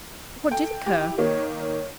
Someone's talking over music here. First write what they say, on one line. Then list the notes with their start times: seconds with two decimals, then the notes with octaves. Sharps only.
What did occur?
0.51 A4 G5
0.86 E4 G4
1.18 D#3 A#3 C#5
1.60 C#5